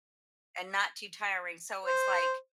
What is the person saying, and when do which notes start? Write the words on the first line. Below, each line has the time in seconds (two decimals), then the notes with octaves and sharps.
and not too tiring. So It's, like,
1.85 C5